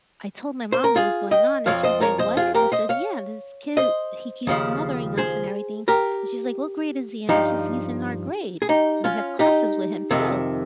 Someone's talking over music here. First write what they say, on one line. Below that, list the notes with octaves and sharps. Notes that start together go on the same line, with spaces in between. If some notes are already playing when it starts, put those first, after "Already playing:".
I told my mom what was going on and she's like, "What?" I said, "Yeah, this kid, he keeps bothering us and everything." And she's like, "What grade is he in?" I says, "He's in our grade. We have classes with him too."
C5
A#4
F4 G#4
D#5 G5
F2 C#3 F3 C#5 F5
C5 D#5
A#4 C#5
C5 D#5
F4 G#4
G4 A#4
C5 D#5
C#5 F5
C5 D#5
D#2 C#3 F3
G#4 C5
G4 A#4
G2 F3 D#4 G4
G#4
D#4 G4
C#4 F4
D#4 G4
F2 C3 D#3